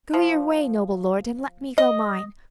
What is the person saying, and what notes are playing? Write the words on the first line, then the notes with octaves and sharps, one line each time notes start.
'Go your way, noble lord, and let me go mine.
F3
D#5